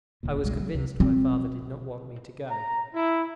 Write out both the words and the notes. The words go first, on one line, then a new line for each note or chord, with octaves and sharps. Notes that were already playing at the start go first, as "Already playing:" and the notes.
I was convinced my father did not want me to go.
D#1 D2 A#2
F#1 C2 B2 G#3
F#3
C#2 C3
B2 C4
A#5
E4